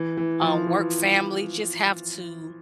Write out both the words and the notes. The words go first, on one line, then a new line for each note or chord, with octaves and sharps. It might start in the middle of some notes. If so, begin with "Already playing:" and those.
a work family, just have to
Already playing: E3
E3
F3
E3